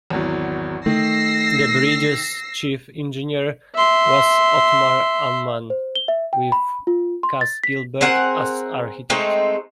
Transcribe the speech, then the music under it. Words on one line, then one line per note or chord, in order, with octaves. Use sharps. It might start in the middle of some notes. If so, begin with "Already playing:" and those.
The bridge's chief engineer was Othmar Ammann, with Cass Gilbert as architect.
G#1 E2 F#3
D#3 A3 E6 A#6 C7
E5 C6
C5
G7
E5
G5
B5
F4
C6
A6
B6
C4 G#4 A#4 F#5
G#3 A3 C4 D#4